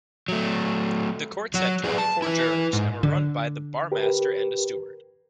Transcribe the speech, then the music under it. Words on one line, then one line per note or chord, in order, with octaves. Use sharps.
The courts had twenty-four jurors, and were run by the Barmaster and a steward.
F#3 A3
F#3 F#4
F#3 G#4 B4 D5
A5
E4 B4
G#2
D3
G4 A#4 B4